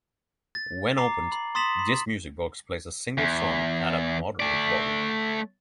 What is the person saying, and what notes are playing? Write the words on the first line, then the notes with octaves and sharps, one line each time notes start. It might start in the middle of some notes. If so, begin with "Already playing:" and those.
When opened, this music box plays a single song at a moderate volume.
A6
A#5 D6 C7
B5
C6 D#6 A6 B6 E7 F#7
B5
E2
A3 D5